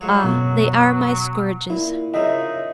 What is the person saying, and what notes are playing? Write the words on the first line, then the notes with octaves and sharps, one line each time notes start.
"Ah, they are my scourges."
G#2 F3 F#3 C#5
F#2 B2
A#2 E4
C#3 F3 D#4 A#4 D#5 E5